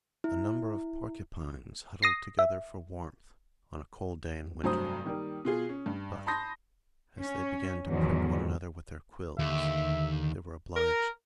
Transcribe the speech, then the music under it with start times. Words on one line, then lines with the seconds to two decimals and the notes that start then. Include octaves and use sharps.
A number of porcupines huddled together for warmth on a cold day in winter; but, as they began to prick one another with their quills, they were obliged to disperse.
0.24 E4
2.02 D#6 A#6 C7
2.39 E5
4.63 F1 G2 F#3 C5 A#5 D#6
5.05 D#3 G3 A#3
5.45 B2 F4 G#4
5.69 C#4
5.86 G2
6.27 A5 B5 C6 D#6 G6 A#6
7.20 C#4
7.87 E2 G#2 D3 D#3 F3 F#3
9.39 D#2 D3 E5
10.77 A#4